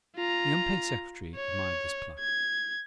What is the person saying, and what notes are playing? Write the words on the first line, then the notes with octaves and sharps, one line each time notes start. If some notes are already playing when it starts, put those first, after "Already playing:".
The unpaid secretary admired this pluck.
F4 A#5
C#5
G#6